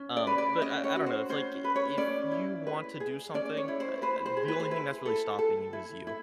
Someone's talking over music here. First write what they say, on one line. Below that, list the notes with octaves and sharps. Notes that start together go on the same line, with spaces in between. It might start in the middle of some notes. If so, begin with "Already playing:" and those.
Um, but I I don't know, it's, like, i i if you want to do something, uh uh, the only thing that's really stopping you is you.
Already playing: C#4
D5
B4
D5
C#4 D#5
C#5
F#4
C5
C#4 C5
B4
C#5
C#4 D5
E4
B4
G#4
C#4 D5
C#5
E4
C5
B4 C5
C5
G#4
B4
C5
E4 B4
A4
A4
E4
E4